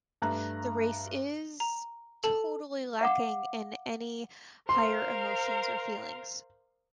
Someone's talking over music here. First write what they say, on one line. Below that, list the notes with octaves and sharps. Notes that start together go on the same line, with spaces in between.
The race is... totally lacking in any higher emotions or feelings.
G2 A3 A#5 F#6
A#5
A4 A5
F5 F#5 D6
A#4 C5 F5 C6